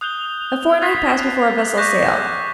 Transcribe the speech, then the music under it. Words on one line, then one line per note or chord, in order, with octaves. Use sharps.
A fortnight passed before a vessel sailed.
D#6 F#6 G6 F7 G7
D#6 F#6 G#6 A6 B6 C7
C#6 D6 F#6 G6 A#6 B6